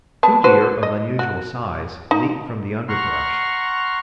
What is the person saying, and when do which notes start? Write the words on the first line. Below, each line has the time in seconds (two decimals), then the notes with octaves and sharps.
Two deer, of unusual size, leaped from the underbrush.
0.23 B3 A5
0.44 F#4 B4 C5
0.83 D#5
1.19 F#4
2.11 D#4
2.89 F#5 A#5 C6 C#6 F6